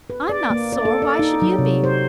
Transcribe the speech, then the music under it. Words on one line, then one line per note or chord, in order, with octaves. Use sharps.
I'm not sore, why should you be?
B4
D5
A#3
D5
A4
D5
D#4
F#3
C3
C5